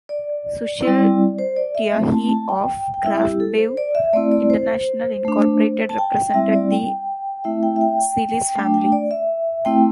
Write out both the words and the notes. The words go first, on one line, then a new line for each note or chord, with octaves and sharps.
Sushil Tyagi, of Craftbev International Incorporated represented the Celis family.
D5
G3 C4 E4
C5
D5
E5
A3 C4 E4
A5
A5
G5
G5
G3 C4 E4 E5
G4
A4
C5
D5
E5
A3 C4 E4 D5
D5
C5
A3 D4
A5
G5
G5
G3 C4 E4 E5
D5
G5
A3 C4 E4 E5
G5
E5
G5
A3 D4 G5
G5
D5
E5
A3 C4 E4 G5